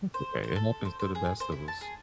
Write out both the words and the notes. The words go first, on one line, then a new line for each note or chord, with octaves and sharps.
That's okay. It happens to the best of us.
C5
C5
A4
C5
C5
G#4
C5
E4
A5
G#4